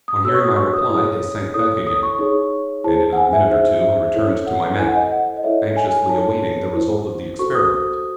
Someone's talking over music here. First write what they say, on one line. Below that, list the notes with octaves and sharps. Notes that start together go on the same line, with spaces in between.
On hearing my reply they sank back again, and in a minute or two I returned to my mat, anxiously awaiting the result of the experiment.
D#6
F#4 A4 C#5 E6
C#6
D#6
C#6
D#6
E4 G#4 C#5 D#6
E4 A4 C#5 D#6
D#6
C#6
D#4 G#4 C#5
E4 G#4 C5 A5
F#5
G#5
E5
D#4 G#4 C5 E5
E5
E4 A4 C#5
F#5
E4 A4 C5 G#5
F#5
D#5
F#5
D#5
E4 A4 C#5 E5
G#5
D#4 A4 C#5 A5
E4 C5
F#4 A4 C5 C#6
D#6